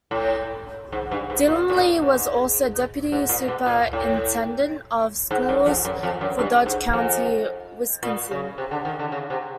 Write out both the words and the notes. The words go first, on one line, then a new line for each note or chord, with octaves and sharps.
Delaney was also deputy superintendent of schools for Dodge County, Wisconsin.
A2
G#2
G2
G#2
A#2
A2
A#2
G#2
G#2
A#2
B2
A#2
A2
G#2
F#2
F2
F#2
F2
F#2
G2
G#2
F2
A#2
C#3
C3
D3
D#3
D3
C#3
C3